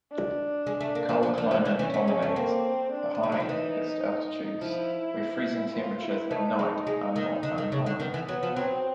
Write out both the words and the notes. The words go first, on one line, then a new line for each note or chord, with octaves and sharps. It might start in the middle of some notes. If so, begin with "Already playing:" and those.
Cold climates dominate the highest altitudes where freezing temperatures at night are not uncommon.
D4
G#3
A3
A#3
F3
F3
F3
F3
E3
E3 C#4
A3
G#3
A3
A#3 C4
D4
G3 D#4
F#3
F3
E3
F3 E4
F4
E4
A3 D#4
G#3
G#3
D#3
D3
D#3
C#3
D3
D#3 B3
E3
F#3 B3
F3
F#3 C4